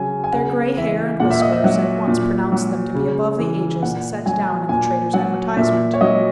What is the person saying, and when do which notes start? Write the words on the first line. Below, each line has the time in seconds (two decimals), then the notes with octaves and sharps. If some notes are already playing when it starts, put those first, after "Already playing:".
Their grey hair and whiskers at once pronounced them to be above the ages set down in the trader's advertisement.
Already playing: C#3 F#3 G#5
0.24 G#5
0.32 C#3 F#5
0.77 E3 E5
1.20 A#2 F#5
1.30 E5
1.42 D#5
1.52 E5
1.64 F#3
2.07 A#2
2.52 F#3
2.95 C#3
3.38 E3
3.82 A#2 F#5
4.26 F#3 G#5
4.69 A#2 G#5
5.13 F#3 F#5
5.57 A#2 E5
5.94 C#5
6.01 F#3 D#5